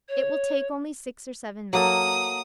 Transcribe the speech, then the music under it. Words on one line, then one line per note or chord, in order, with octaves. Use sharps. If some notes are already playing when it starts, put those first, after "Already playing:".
It will take only six or seven minutes.
C#5
F#3 A#3 A4 D#6